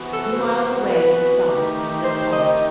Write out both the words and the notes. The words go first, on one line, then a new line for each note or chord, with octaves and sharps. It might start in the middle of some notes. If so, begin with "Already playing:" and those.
Two miles away he stopped and lit a pipe.
Already playing: C3 E3 B3 F#4
A4
C5
B4
D#3 A3 D#4 G4
C5
D#5